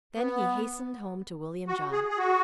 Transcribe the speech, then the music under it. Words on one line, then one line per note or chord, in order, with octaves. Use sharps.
Then he hastened home to William John.
B3
F#4
G#4
G#4
F#4